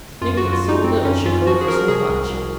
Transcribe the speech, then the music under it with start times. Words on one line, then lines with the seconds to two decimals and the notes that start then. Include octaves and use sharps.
'To think that so little should go for so much!
0.21 F#2 F4
0.37 F#4
0.43 F#2
0.53 F4
0.63 F#2
0.69 D#4
0.84 F#2 C4
1.05 F#2 C#4
1.26 F#2 F4
1.47 F3 F#4
1.61 G#4
1.68 F3 A#4
1.88 C3 G#4
2.09 C2
2.30 C2